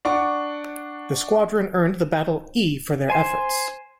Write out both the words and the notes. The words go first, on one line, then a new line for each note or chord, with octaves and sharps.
The squadron earned the Battle "E" for their efforts.
D4 F#5 C#6 D6
C5 G#5